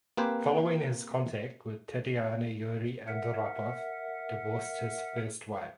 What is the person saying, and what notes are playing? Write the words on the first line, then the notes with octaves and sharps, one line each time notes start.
Following his contact with Tatyana Yuri Andropov divorced his first wife.
A#3 C4 G4 B4 C5 G#5
A#4 E5 F#5